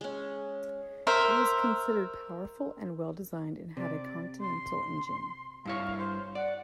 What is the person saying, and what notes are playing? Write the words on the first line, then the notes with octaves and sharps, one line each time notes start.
It was considered powerful and well-designed, and had a Continental engine.
G#3 C#4
A#4 C5 E5
C3 D5
C6
G2 E4 C#5 F5
C5
D5 F#5